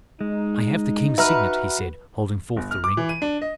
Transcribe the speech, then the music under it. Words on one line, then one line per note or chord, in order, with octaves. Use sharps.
"I have the king's signet," he said, holding forth the ring.
G#3 D#4
F#4 B4 E5 A#5 F6
G1
F6
D6
E3
D#7
D4
D#5